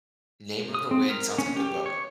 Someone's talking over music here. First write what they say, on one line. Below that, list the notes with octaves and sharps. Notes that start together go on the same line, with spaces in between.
Name of the Wind, sounds like good book.
D#6
C4
A#4
C#4
G4
C#5